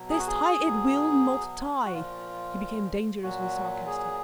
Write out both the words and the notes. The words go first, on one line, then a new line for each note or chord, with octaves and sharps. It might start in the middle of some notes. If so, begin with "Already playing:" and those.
"This tie, it will not tie." He became dangerously sarcastic.
Already playing: B2 F#3
G#4
F#4
G#4
B2 F#3
F#4
A#2 F3 F4
A#2 F#3 F#4
G#4